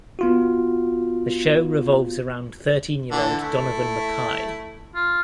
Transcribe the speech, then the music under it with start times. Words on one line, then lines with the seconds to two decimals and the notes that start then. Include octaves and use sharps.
The show revolves around thirteen-year-old Donovan Mackay.
0.19 B3 F4 F#4
3.12 D3 E3
3.41 A3 E4
4.95 F4